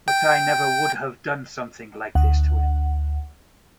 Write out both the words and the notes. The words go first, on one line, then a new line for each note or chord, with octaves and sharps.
But I never would have done something like this to him.
G5
D2 F#5